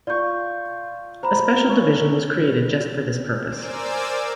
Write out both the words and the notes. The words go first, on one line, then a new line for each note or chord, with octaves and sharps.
A special division was created just for this purpose.
F4 D5 C#6 G6
C5 A#5 B5
C#4 A4
A#4 C5 D5 G#5 D6 E6